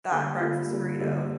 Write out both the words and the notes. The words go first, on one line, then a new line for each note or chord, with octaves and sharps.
that breakfast burrito?
D3 G3 A#3
D3 G3 A#3 F4
D3 G3 A#3
D3 G3 A#3